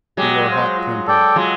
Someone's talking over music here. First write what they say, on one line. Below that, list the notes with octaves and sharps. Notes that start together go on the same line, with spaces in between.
"You are hot-tempered."
F#3 G#3 G4
C5 F5
F4
A4 D5 G5
F#3 G#3 F4